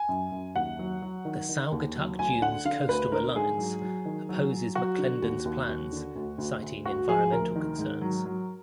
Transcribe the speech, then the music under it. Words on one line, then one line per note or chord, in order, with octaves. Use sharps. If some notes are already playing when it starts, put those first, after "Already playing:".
The Saugatuck Dunes Coastal Alliance opposes McClendon's plans, citing environmental concerns.
Already playing: G#5
F#2
F#2
D#2 F#5
F#3
F#3
D#3
D#3
D#2
F#3
D2 G#5
D3 F#5
D3 F5
D2 B4
D3 A#4
G#2 G#4
F#3
F#3
D#3
F#3
F#3
F#3 F#4
D3
D#2
D#2
D#2
D3
D2
D2
D2
D2 F#4
F3 G#4
D2 A#4
D#3
G#2
F#3
F#3